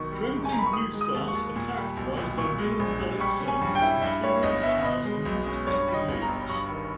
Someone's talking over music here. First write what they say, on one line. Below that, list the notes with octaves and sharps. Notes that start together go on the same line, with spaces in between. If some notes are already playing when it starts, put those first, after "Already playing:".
Trembling Blue Stars are characterized by melancholic songs with shimmering guitars and introspective lyrics.
Already playing: B1 D#3 C#6
G3
G#2
G#5
G#2 A#5
B5
C#6
D#3 D#6
G#3
D#6
D#2
C#6
D#2
A#2
G3
B1
B1
A#2 C#6
G#3
A#1
A#1
G3 C#6
C#4
G#5
G2
G5
E4
G2 E5
G3 C#5
G1 D#5
B3 E5
B2 D#5
G#3
B1
C#4
G2 C#5
G3
D#5
G1
A#5
G1
G2 C#6
D#3